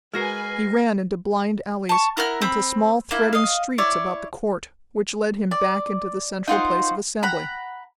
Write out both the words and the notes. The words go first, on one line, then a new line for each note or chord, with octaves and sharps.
He ran into blind alleys, into small threading streets about the court, which led him back into the central place of assembly.
G#3 F#4 A#4 B4 G#5 F6 A#6 C7
A5 C#6
E4 A#4 F#5 F6
C4 B5
A#3 E4
D#5 F5
E4 C#5 D5
D5
D#4 F4 F#4 C5
F#5 A#5 B5